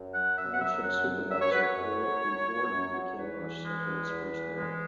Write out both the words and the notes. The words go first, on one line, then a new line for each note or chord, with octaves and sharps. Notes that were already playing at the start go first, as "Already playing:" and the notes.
Township Supervisor Earl E. Borden became Rochester Hills' first mayor.
Already playing: F#2
F#3 F#5
F#2 E5
F#5
F#3 E5
F#2 F#5
F#3
F#2 E5
C#5
F#3 B4
C#5
F#2
F#3
F#2
F#3
F#2
F#3
E2 B4
E3
G#3
E2
E2
E3
G#3